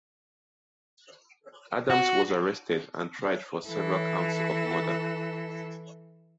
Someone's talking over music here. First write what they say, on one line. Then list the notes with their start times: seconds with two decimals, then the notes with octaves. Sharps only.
Adams was arrested and tried for several counts of murder.
1.90 F#4
3.67 E3 A4